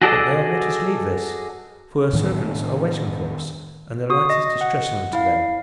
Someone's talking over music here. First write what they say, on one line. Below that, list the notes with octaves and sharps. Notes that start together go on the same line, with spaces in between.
But now let us leave this, for our servants are waiting for us, and the light is distressing to them.
F#4 G#4 A4 D5 D#5
A2 D#3 D4
F#4 D#6
D#5
F#5
E4 F5